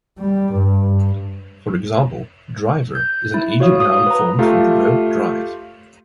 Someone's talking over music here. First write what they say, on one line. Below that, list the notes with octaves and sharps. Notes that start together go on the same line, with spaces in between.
For example, "driver" is an agent noun formed from the verb "drive".
G3
G2
G6
E4
F#4 C#5 F5 D#6
D#6
B4 A#5
A3 F4 G4